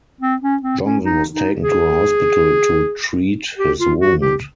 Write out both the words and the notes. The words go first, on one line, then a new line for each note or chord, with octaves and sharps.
Johnson was taken to a hospital to treat his wound.
C4
C#4
C4
C#4
D#4
D#4
G#4
G4
F4
F#4
G4